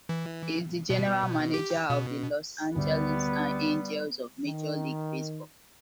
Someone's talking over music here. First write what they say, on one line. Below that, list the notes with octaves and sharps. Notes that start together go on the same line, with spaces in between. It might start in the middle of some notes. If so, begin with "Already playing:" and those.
He is the general manager of the Los Angeles Angels of Major League Baseball.
E3
B2
G4
B2
D2 G3 B3
D#3